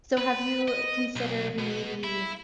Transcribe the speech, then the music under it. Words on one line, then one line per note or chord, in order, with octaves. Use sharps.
so, have you considered, maybe,
B4
D#5
B1
B2
E4